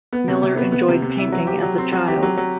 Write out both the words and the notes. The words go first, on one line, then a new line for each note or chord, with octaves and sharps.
Miler enjoyed painting as a child.
B3
C3
C3
B3
B3
C3
C3
E4
F#3
G4
F#3
C4
F#3
G4
F#3
F#3